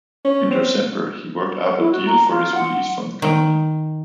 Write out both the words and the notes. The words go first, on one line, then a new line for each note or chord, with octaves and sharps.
In December, he worked out a deal for his release from the company.
C#4
C4
E4
F#4
A#5
F4
F#5
D#3